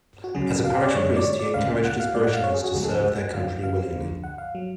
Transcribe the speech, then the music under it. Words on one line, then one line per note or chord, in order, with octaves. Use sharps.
As parish priest, he encouraged his parishioners to serve their country willingly.
F#4
D2 C#3 F#3 G#4
F5
D5
F#2 D3 G#3 C#5
D5
C#5
D5
D2 C#3 G#3 F5
F#5
F5
A2 G#3 D5
F#5
F5
C#5
G#4
F#4
D2 C#3 F3 G#3 G#4
A4
F#5
F#2 D3 F#3 F5
F5
D2 D3 F3
F#5
F5
F#3